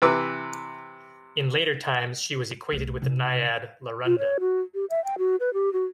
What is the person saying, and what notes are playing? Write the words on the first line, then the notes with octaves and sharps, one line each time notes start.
In later times, she was equated with the naiad Larunda.
C3 E3 B4 D6 E6
C2 A3
C3 D#4
F4
C#5
F#4
G4
E5
G5
F#4
B4
G4
F#4